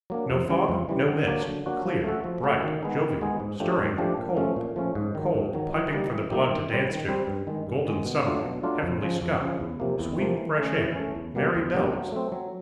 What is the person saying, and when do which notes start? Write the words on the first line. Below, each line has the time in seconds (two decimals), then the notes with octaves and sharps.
No fog, no mist; clear, bright, jovial, stirring, cold; cold, piping for the blood to dance to; golden sunlight; heavenly sky; sweet fresh air; merry bells.
0.10 F#3 A#3 D4
0.30 F2
0.49 C#3 E3 G3
0.69 F2
0.88 C#3 E3 G3
1.08 D3
1.27 F#3 A#3 D4 F#4
1.46 D3
1.66 F#3 A#3 D4 F#4
1.85 F3
2.04 A3 C#4 F#4 A4
2.24 F3
2.43 A3 C#4 F#4 A4
2.63 D#3
2.82 G#3 B3 D#4 G#4
3.01 D#3
3.21 G#3 B3 D#4 G#4
3.40 G#2
3.60 F3 A3 D4 G4
3.78 G#2
3.98 F3 A3 D4 G4
4.18 A#2
4.36 F3 A3 C#4
4.56 A#2
4.76 F3 A3 C#4
4.95 G#2
5.15 D#3 F#3
5.35 G#2
5.54 D#3 F#3
5.73 E3
5.92 G3 A#3 D#4 G4
6.12 E3
6.30 G3 A#3 D#4 G4
6.50 D#3
6.70 G3 C4
6.89 D#3
7.08 G3 C4
7.27 G2
7.47 D#3 G#3
7.67 G2
7.85 D#3 G#3
8.05 B2
8.25 F#3 A3 D4 F4
8.44 B2
8.63 F#3 A3 D4 F4
8.83 F2
9.02 C#3 F3
9.21 F2
9.41 C#3 F3
9.60 E2
9.80 C3 F3 A#3
9.99 E2
10.18 C3 F3 A#3
10.37 E3
10.57 A3 C#4
10.77 E3
10.96 A3 C#4
11.15 E2
11.35 B2 G3 A#3 D4
11.55 E2
11.74 B2 G3 A#3 D4
11.93 F#3
12.12 A3 C4
12.32 F#3